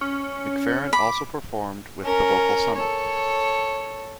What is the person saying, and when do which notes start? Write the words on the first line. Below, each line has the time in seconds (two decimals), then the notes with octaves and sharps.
McFerrin also performed with the Vocal Summit.
0.01 C#4
0.93 B5 D6
2.04 C#4 A#4
2.76 A4 C#5